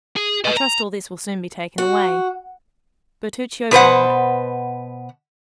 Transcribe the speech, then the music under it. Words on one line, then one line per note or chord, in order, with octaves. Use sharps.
"I trust all this will soon be taken away." Bertuccio bowed.
G#4
B4 D#5
A#5
F#4
B2 B4 C5 F#5